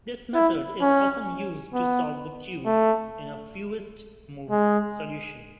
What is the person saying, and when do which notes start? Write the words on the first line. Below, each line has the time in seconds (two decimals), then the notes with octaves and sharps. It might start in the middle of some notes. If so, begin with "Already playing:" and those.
This method is often used to solve the cube in a fewest-moves solution.
0.34 E4
0.81 C#4
1.74 B3
2.66 A3
4.50 G#3